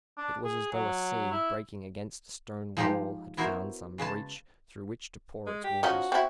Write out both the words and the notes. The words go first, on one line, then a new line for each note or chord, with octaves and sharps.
It was as though a sea, breaking against a stone wall, had found some breach through which to pour its waters.
D4
G#4
F#3
E4
F3 G#3 D#4 F4 G4
B3 E4 F#4 A#4 C5
C#3 G#3 B4 A5
G#3
G4
F3 C#4 D#4 F#4
C4 E4 F#4